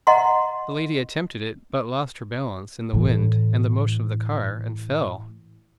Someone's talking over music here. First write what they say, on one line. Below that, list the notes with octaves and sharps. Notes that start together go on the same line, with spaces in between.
The lady attempted it, but lost her balance, in the wind and the motion of the car, and fell!
D#5 F#5 A#5 C6
A2 E3